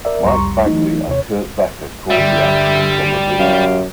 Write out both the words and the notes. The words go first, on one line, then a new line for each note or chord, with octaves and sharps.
Mike Bagley and Kurt Becker called the action from the booth.
A#4 D5 E5
C2 F2 G3 A#5 C6 C#6
E3 F#3 A3 D#4
D#2 C3 C#5
G2 D3 G3 E5
F#2 G4 F5